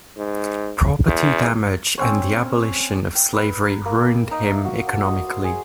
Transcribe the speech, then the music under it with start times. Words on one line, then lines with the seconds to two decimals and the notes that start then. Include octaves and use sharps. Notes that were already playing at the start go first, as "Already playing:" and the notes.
Property damage and the abolition of slavery ruined him economically.
0.17 G#2
1.05 E2
1.98 C4 C#4 C5 C#5
3.15 G5
3.33 B4
3.61 A#5
3.86 A#3
4.31 D#4
4.53 E5
4.65 F#4
4.87 D4
5.06 D#5
5.27 C5
5.44 G#4